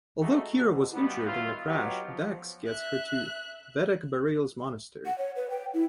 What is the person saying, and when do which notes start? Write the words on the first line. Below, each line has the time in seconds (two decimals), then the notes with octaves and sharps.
Although Kira was injured in the crash, Dax gets her to Vedek Bareil's monastery.
0.20 G#3 A3 C#4 D#4 F#4 G4
0.56 D2 B2 D3
0.94 G2 B2 G3 B3
1.26 D#3 F#3 E4 F4
1.66 F#3 B3 D#4 F4 G4
2.06 F3
2.66 E5 F#6
5.06 F#5
5.18 C#5
5.36 B4
5.50 G5
5.74 E4